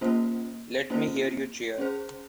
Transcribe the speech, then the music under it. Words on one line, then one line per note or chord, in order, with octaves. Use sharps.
Let me hear you cheer!
A#3 C#4 F4 C5
A#3 C#4 F4 C5
C#4 G#4 C5